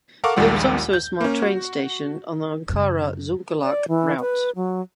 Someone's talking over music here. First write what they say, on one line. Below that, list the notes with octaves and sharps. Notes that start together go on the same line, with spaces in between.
There was also a small train station on the Ankara-Zonguldak route.
A4 A#4 F5 F#5 C#6 D6
A#1 D#2 A#2 G3 G#3 F#5
G6
A#3 C#4
F#4
F#2 C#3
D5
E3
B4
F#3